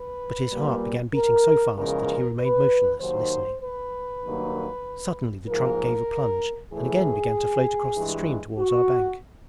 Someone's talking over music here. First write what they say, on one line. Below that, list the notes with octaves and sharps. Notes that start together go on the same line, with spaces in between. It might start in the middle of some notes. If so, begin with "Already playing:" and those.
But his heart began beating so fast that he remained motionless, listening. Suddenly the trunk gave a plunge and again began to float across the stream towards our bank.
Already playing: B4
A#2 G3 A#3
A#4
E2 C#3 F3 G#3 A#4
B4
D#2 D#3 F#3 C5
B4
G2 D#3 F#3 A#3
G#2 F3 A#3 A#4
A2 E3 A3 G#4
G2 E3 G#3
F#4